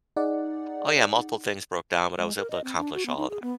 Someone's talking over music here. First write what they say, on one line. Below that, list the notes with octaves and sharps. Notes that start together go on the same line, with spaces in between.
Oh, yeah, multiple things broke down, but I was able to accomplish all of that.
D#4 G#4 D5 F#5
G#3
A#4
D#5
C4
D4
F#4
B3
D#4
G#4
B3